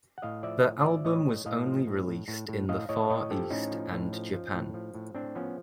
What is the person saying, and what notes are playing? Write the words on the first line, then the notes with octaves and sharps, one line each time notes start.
The album was only released in the Far East and Japan.
F#5
A2 D#5 F5
F3 D5 E5
A2
F3 D5 E5
A2 C#5 D#5
A2
A2 D#5 F5
F3
A2
A2
A2
A2
A2 D#5 F5
A2 C#5 D#5
A2 C#5 D#5
F3 G4 A4
A2 C#4 D#4
F3
A2
F3
F3
A2
F3
A2
A2 C4 D4
F3 B3 C#4